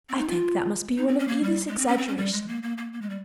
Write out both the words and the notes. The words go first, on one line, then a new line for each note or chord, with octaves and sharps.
'I think that must be one of Edith's exaggerations.
C4
D#4
F4
D#4
C4
C#4
A#3
G3
G#3
C4
C#4
C4
C#4
G3
G#3
A#3
A#3
A#3
A#3
G#3
G3